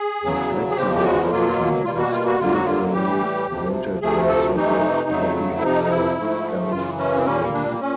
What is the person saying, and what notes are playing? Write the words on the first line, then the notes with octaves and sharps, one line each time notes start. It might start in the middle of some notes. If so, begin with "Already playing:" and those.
The flexible version was usually mounted in a Soviet copy of the Scarff ring.
Already playing: G#4
E2 C#3 F#3
G#4
E2 C#3 F3 G#3 G4
G4
F#4
B2 F#3 A#3 F4
B2 G3 A#3 F4
F#4
F4
F#4
F2 D3 F#3 A#3 F4
F#4
F4
A2 E3 G3 G4
D2 C3 F3
D2 C3 F3 A3 G#4
A4
F2 C3 E3 A3 D#4
F2 C#3 F#3 A3
E4
F2 C3 F3 D#4
D#4
E4
G#2 F3 A3
F#2 C#3 E3 F4
C#4
C4
A#2 G3 A#3 C#4
D4
A#2 C#4